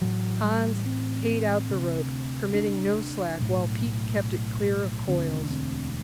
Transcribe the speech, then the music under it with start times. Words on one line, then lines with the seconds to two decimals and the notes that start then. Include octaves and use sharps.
Hans paid out the rope, permitting no slack, while Pete kept it clear of coils.
0.01 A1 A2 F#3
0.43 G3
0.86 C4
1.70 D2 C3
2.54 D4
3.39 B1 A2
5.08 E1 D2 D3 C4
5.43 D4
5.50 C4